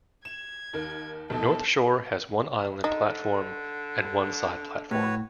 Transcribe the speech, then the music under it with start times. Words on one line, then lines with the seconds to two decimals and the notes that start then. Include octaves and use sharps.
North Shore has one island platform and one side platform.
0.25 G#6 E7
0.73 D#2 D#3 A#4
1.30 A#1 D#2 B2 A4
2.84 D3 D#4
4.91 A2 F#4 B4 C#5